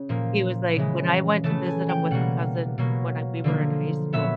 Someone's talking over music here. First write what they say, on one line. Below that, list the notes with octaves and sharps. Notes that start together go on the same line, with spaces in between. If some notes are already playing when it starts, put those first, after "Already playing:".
He was, like, when I went to visit him with a cousin when I we were in high school,
Already playing: C#3
A#2 F3 A#3
C#3 E3 G#3
C#3 E3 A3 A5
G#5
G5
B2 G3 A#3 F#5
B2 F#3 A#3
D3 F3 A#3
A#2 F#3 B3 E5